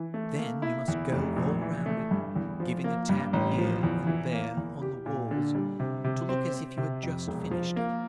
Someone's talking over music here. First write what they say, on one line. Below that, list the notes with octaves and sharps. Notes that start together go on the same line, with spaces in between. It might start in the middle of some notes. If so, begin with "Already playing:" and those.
Then you must go all round it, giving a tap here and there on the walls to look as if you had just finished it.'
Already playing: E3
A3
A#3
E4
E2
F1
A#1
E3
A3
G2
E2
F3
A#3
G2
A1
F3
E2
E3
A#3
E2
G4
A#2
D3
G3
C3
C3
C4
C4
C3
F2
E1
F3
A#3